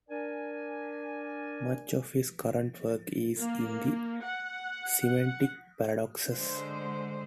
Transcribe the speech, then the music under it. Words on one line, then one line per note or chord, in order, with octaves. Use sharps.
Much of his current work is in the semantic paradoxes.
D4 A#4 D5 G#5
A#3
F#5
D3 G#3 C5